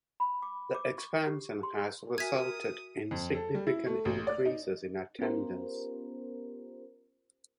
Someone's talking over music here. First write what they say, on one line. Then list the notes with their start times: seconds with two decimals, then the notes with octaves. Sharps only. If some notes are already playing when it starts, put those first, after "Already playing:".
The expansion has resulted in significant increases in attendance.
0.20 B5
0.42 D6
0.74 D6
0.98 C#6
1.26 G4
1.63 C6
2.18 F#4 A#4 E5 G#5 D#6 G#6 B6
3.11 F2
3.34 A4
3.55 G3
3.67 E4
3.86 A3
4.05 A1
4.27 D5
4.46 D#4
5.19 B3 C#4 F4 G4 A#4 C5